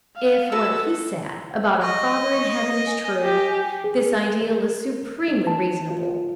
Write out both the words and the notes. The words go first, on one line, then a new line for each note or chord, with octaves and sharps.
If what He said about our Father in Heaven is true, this ideal is supremely reasonable.
F5
B3 F#4 A4 E6
D#5 C#6
G#5
G4
G#4
A#4
D#4
A5
F4